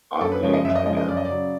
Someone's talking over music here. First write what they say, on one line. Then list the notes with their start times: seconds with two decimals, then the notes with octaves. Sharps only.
I’m late again!
0.21 F#2 A4
0.32 B4
0.43 C#3 F3 G#3 C#5
0.54 D#5
0.64 F#2 E5
0.75 D#5
0.86 C#3 F3 G#3 D#5
0.97 D#5
1.08 F#2 D5
1.17 D#5
1.25 D5
1.30 C#3 F#3